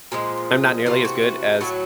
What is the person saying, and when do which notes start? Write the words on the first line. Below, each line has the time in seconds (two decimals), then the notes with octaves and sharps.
I'm not nearly as good as
0.12 A#2 F3 G#3
0.86 C3 E3 A3 F4
1.05 F#4
1.60 A2 F#3 A3 F#4